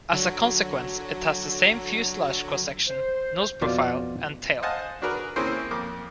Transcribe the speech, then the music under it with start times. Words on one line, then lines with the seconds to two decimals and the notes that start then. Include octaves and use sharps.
As a consequence, it has the same fuselage cross-section, nose profile, and tail.
0.13 D3 F#3
2.88 C5
3.61 F2 B2 F4 D5
4.63 C5 D#5 F5 F#5 G#5 A5
5.02 D4 F#4 G#4 A#4 B4
5.36 A#3 C4 C#4 E4 G#4 C5
5.71 F2 A#3 D6